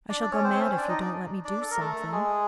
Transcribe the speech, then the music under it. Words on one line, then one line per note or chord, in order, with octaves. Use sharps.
I shall go mad if you don't let me do something.
D4 D5
D4 D5
C#4 C#5
C4 C5
C#4 C#5
C#5
D4 D5
D#4 D#5
D4 D5
D4 D5
A4
A#4
A3 A4
G#3 G#4